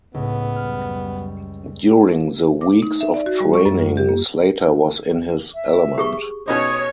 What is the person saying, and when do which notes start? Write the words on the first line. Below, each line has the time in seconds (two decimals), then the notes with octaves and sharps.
During the weeks of training, Slater was in his element.
0.14 C#2 A2 B3
0.56 F#2 G3 F6
2.61 D6
2.82 D#4
3.01 E5
3.14 D5
3.26 F#4
3.40 G3
3.54 C#6
3.65 F#2
3.79 F4
3.97 G4
4.09 A#3
5.54 E5
5.98 G4 G#4 C#6
6.48 B2 C#4 D#4 C#5 D#6